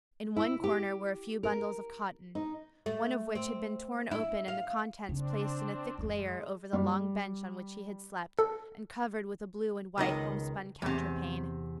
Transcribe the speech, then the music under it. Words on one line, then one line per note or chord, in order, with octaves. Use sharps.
In one corner were a few bundles of cotton, one of which had been torn open and the contents placed in a thick layer over the long bench on which he had slept, and covered with a blue and white homespun counterpane.
E4
G4
A#4
D#4
A3
C4
E4
F5
C#3 C4 D4
F#2 E3 G#3
G3
A4
C#2 D#3 D#5
E2 C3